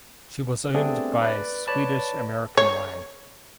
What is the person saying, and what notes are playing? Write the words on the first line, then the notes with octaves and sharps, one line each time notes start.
She was owned by Swedish American Line.
G3 A3 B3 C4 D4 G#4
B4 D5
B4 C#5 D5 A5 B5
C#5